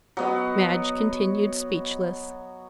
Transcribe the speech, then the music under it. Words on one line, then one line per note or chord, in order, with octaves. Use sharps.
Madge continued speechless.
F#3 B3 D#5